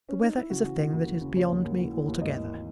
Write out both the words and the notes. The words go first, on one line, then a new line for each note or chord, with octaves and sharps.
The weather is a thing that is beyond me altogether.
C#4
D#4
E4
C#3 F#4
E3
E3
D#2
E3
C#3
D#2 C#5
D#2
D#2
E3
E3
D#2
G#1 D#5
E3
E3